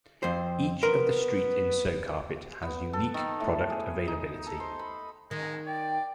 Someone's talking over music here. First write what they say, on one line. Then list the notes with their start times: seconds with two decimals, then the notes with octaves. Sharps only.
Each of the street in Sowcarpet has unique product availability.
0.23 F2 C4 C5
0.83 B3 A#4 C6
2.62 B3
2.93 A4
3.14 D#3
3.40 A2
3.70 G#4
4.08 D#4
4.46 A4
4.60 C5
4.79 B5
5.31 D#3 G#3
5.67 D5 G5